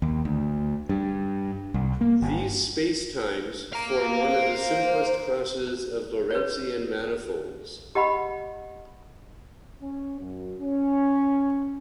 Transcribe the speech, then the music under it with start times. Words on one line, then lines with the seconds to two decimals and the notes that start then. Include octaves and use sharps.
These spacetimes form one of the simplest classes of Lorentzian manifolds.
0.02 D#2
0.25 D2
0.89 G2
1.74 C2
2.01 A#3
2.22 G1
3.72 F5 A#5
4.29 C5
6.31 B4 C#5
7.95 G4 D#5 F#5 B5
9.82 C#4
10.20 F#2
10.61 C#4